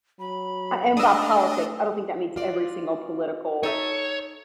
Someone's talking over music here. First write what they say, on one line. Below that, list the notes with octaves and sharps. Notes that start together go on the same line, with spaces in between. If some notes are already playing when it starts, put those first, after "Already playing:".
A and by politics, I don't think that means every single political,
F#3 B5
A3 D4 D#5 D#6 E6
F4 F#4 D5
D#4 A4 C#5 E5